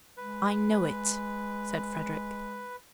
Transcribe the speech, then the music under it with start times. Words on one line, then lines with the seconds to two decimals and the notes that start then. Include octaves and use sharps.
"I know it," said Frederick.
0.17 G#3 B4